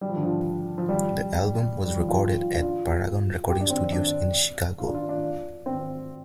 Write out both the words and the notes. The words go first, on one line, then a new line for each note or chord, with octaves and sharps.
The album was recorded at Paragon Recording Studios in Chicago.
G3
F3
D3
F3
F3
G3
G3
F3
F4
F4
D4
F4
G4
D4
C4
D4
F4
D4
F4
D4
C4